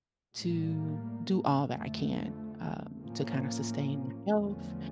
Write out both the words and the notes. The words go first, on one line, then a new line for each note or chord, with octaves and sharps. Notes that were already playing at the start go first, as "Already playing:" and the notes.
to do all that I can, um, to kinda sustain health
A2 G3 A#3
F2 D3 A3
A2 F3 A#3 C#4
E2 D3 F3 A3 C#4